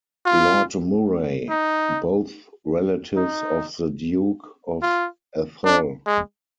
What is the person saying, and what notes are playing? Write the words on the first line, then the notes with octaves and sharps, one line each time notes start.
Lord Murray, both relatives of the Duke of Atholl.
F4
D#4
D#4
F4
D4
G#3